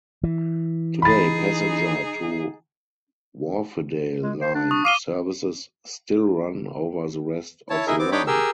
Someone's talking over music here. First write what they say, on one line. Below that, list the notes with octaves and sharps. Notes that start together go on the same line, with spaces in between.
Today passenger to Wharfedale line services still run over the rest of the line.
E3
D#4 G#4 B5 A6
G#3
C5
D4
C#6 D#6
F5 D6 D#7 G7
E4 C#5 A5
D#4 E4 G#4 A#4 E5
B3 C4 D6
D4 D#4 C#5 G5 B5 D6
G4 G#4 A#4 E6